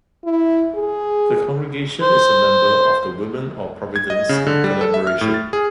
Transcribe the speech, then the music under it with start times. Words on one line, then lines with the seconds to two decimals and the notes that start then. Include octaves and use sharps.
The congregation is a member of the Women of Providence in Collaboration.
0.24 E4
0.75 G#4
2.02 C5
3.96 G#6
4.10 D#5
4.29 C#3
4.47 D3
4.64 G3
4.81 A4
4.94 E5
5.07 F6
5.21 A2
5.34 A6
5.53 G#4